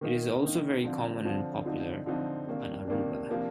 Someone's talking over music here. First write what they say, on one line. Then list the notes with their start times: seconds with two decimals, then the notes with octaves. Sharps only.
It is also very common and popular on Aruba.
0.01 D#3 A#3 D#4
0.42 D#3 A#3 D#4
0.84 D3 F3 C4
1.24 D3 F3 C4
1.65 D3 F3 C4 D#4
2.06 D3 F3 C4 D#4
2.47 C3 D#3 A#3 D4
2.88 C3 D#3 A#3 D4
3.29 C3 F3 A#3 D4